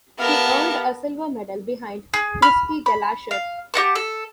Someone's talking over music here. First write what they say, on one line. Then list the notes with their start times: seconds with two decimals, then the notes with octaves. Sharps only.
She earned a silver medal behind Kirsty Gallacher.
0.19 B3 G4 A#4 E5 F5 A5
2.14 G#4
2.42 B5 F6
2.86 B5
3.31 F5
3.74 G4 D#5 F#5 A5
3.95 A4